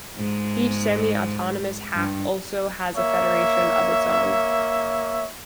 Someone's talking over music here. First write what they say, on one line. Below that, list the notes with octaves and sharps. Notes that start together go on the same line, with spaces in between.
Each semi-autonomous half also has a federation of its own.
G#2 G#3
G2
A#3 C#5 E5